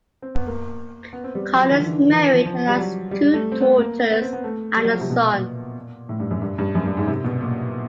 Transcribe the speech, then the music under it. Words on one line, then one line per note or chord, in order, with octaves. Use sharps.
Khan is married and has two daughters and a son.
C4
B3
A#3
B3
C4
G3
F#3
F3
D#3
D3
E3
D#3
D#3
E3
F3
F3
G3
F#3
G3
G3
A3
C4
B3
A#3
B3
C4
B3
A3
G3
F#3
F3
C3
B2
A#2
A2
G2
F#2
G2
G2
F#2
G2
G#2
C3
B2
A#2